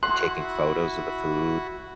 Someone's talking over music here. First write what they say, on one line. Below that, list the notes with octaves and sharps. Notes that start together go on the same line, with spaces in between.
and taking photos of the food,
E4 F#4 B5 C6 F#6